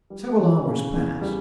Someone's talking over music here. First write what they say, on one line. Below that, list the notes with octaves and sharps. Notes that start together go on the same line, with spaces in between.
Several hours passed.
G3
E3
C#3
E2
G3